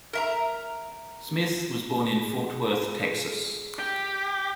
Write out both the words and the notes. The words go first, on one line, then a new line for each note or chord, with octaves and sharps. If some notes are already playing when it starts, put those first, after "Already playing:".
Smith was born in Fort Worth, Texas.
A#4 E5 A#5
G#4
G4